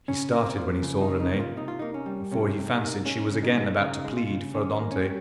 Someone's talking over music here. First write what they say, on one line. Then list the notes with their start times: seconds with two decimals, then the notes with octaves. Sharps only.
He started when he saw Renee, for he fancied she was again about to plead for Dantes.
0.08 C#3 C#4
0.33 A#3
0.45 C4
0.58 F3
0.82 C#3
1.01 D#4
1.08 C#3
1.20 D#4
1.32 A#3
1.39 F4
1.56 C3 D#4
1.68 F4
1.79 A#3 D#4
1.94 C#4
2.06 G3
2.32 C3 C#4
2.56 C3
2.69 D#4
2.81 A#3
3.05 G#3 C#4
3.31 C#3 C#4
3.43 D#4
3.55 G#3
3.80 C#3 D#4
4.05 G#3
4.17 F4
4.30 C#3
4.54 D#3 C#4
4.79 A#3
4.92 C#4
5.03 G3